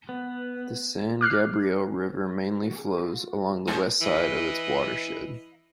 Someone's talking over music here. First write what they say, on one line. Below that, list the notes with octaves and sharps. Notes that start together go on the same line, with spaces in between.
The San Gabriel River mainly flows along the west side of its watershed.
B3
D6 F6 F#6 C7
E3 B4 D#5